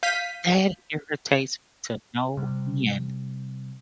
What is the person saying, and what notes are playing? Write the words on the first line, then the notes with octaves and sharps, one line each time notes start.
That irritates to no end.
F5 G6 B6 D#7
C3 G3